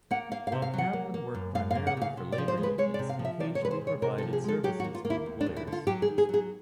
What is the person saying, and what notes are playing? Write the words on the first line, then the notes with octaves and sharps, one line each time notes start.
While Kaplan worked primarily for labor unions, he occasionally provided services for employers.
A#3 F#5
A#3 F5
F5
C3
F5
F#3 F#5
A#3
A#3
F#2
F#2 F5
F5
A#3
F#5
C#3 F5
C3
D5
F3
C5
G#3
B4
G#3 C#5
D5
C3
F5
F3
E5
C3 D5
C#5
G#3 B4
C5
C3
C#5
C3 A#4
A4
F3
G#4
G#3 A4
F#3 G4
F#4
A#3
F4
A#3
E4
D#2
D4
D#2
E4
D3
F4
F#3 G4
G#4
D#3
G#4
F#3 G#4